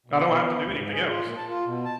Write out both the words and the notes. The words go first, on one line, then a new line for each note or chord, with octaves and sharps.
I don't have to do anything else.
B2
B2
B3
D2
G#2
G#4
F4
A#2
A5
F4
B2
A5